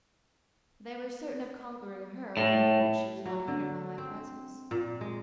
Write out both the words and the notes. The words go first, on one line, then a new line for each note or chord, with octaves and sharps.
They were certain of conquering her the moment she was not hindered by my presence.
A2
F#3
D3
C4
A#2
G#3